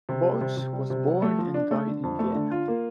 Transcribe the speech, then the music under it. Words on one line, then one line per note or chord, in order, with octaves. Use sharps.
Bartsch was born and died in Vienna.
C3
G3
C3
C3
G3
C3
G3
A3
F3
D4
A3
D3
F2
A3
D3
F4
A#3